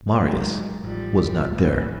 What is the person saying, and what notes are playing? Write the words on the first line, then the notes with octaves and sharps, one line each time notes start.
Marius was not there.
G#2 D#3 F#3
A1 F3 G3
A2 E3